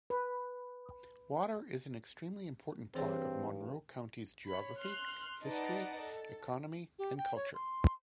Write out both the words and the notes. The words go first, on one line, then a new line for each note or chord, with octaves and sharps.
Water is an extremely important part of Monroe County's geography, history, economy, and culture.
B4
G2 E3 C4 G#4 C#5
C#5 B5
C6 F6 F#6
D#4 B4 D5 D#5 F#5 A5
A4
G4
G5
C#5
C6